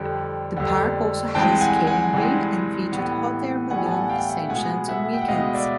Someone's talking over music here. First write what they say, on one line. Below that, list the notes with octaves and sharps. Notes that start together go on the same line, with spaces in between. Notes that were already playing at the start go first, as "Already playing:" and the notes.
The park also had a skating rink, and featured hot-air balloon ascensions on weekends.
Already playing: F2 D3 G3
F2 D3 G3
G2 E3 G#3 C4 G5 A5
F#5 G#5
F#5 G#5
G2 E3 G#3 C4
A2 E3 G3 B3
A2 E3 G3 B3 F#5 G#5
A5
F#5 G#5
F#5
F5 G5
E5 F#5
B2 G#3 B3 F#5 G#5
E5 F#5
G5
F#5
B2 G#3 B3 D#5 F5
D5 E5